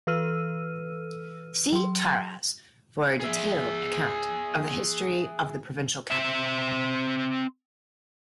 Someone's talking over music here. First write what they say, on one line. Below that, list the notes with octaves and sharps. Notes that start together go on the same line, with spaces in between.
See Taraz for a detailed account of the history of the provincial capital.
E3 A4 B4 E6 F6 D#7
F#3 C6
G#4 E5
C4 E5